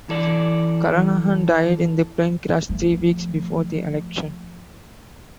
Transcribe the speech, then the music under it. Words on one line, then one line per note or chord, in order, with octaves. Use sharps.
Carnahan died in a plane crash three weeks before the election.
E3 A4 D5
F3 A3